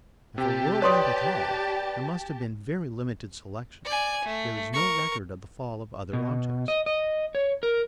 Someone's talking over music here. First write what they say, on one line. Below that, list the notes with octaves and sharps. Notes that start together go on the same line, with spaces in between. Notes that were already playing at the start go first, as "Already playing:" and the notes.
If a whirlwind at all, there must have been very limited selection: there is no record of the fall of other objects.
C3 G4 A5
B4 C#5 D5 C6 D#6
D5 G#5
A3
A#4 C#6
B2
D#5
D#5
C#5
A#4